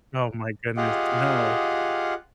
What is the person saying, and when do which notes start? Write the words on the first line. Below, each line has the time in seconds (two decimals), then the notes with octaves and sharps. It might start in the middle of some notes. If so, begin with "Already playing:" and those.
Oh my goodness. No.
0.77 F4 G4 G#4 D#5 F5 F#5